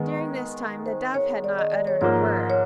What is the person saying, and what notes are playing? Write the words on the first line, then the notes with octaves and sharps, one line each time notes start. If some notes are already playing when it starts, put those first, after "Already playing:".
During this time the Dove had not uttered a word.
Already playing: D#3 G#3 B3
C5
C#5
D5
D#5
D5
C#5
G#2 F3 A#3 C#5
C#5